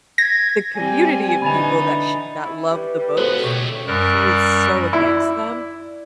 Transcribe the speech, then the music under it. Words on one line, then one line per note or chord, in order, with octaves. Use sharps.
the community of people that sh that loved the books, she is so against them
G#6 A#6
G3 C4 G#5
D3 E3 D#4 B5 A6 F7
C#4 E4
G3 B4
G3
D#2 G#2 C#3 B3 F#4 A4 C5
C#2 B2 A3 G4 C#5
F#2 G3 A#4 F#6
E4 D5